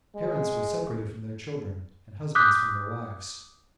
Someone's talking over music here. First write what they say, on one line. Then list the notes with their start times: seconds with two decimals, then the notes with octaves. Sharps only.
Parents were separated from their children and husbands from their wives.
0.15 G#3
2.35 D6 D#6 F#6 G6 B6